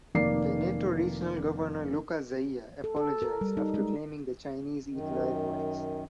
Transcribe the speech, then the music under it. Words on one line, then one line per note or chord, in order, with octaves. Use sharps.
Veneto regional governor Luca Zaia apologized after claiming the Chinese eat live mice.
F1 D#3 A#3 D5 C7
A4
A4
A#4
G3
D#4
G#3
F#2 D#3